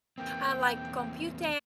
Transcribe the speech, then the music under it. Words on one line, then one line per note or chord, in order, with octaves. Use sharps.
Uh, like,, "computer"
E2 A#3 C4 G5